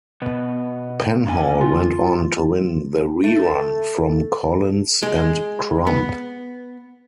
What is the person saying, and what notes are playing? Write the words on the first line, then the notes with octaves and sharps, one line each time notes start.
Penhall went on to win the re-run from Collins and Crump.
B2 B3
A#3 D4 G#5
F4
A3
G#3
B3